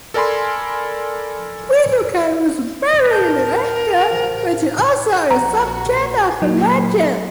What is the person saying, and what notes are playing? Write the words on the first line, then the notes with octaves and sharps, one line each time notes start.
Widukind was buried in Enger, which is also a subject of a legend.
A4 A#4 D5 G#5 B5 C6
A#4 A5 G6
A#1 F#4 A#5
A#2 F#3 A#3